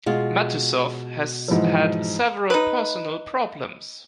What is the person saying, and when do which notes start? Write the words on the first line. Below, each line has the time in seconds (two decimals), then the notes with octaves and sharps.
Matusow has had several personal problems.
0.06 B2 G#3 F4 D#5
1.48 G#2 E3 F3
2.50 D#4 B4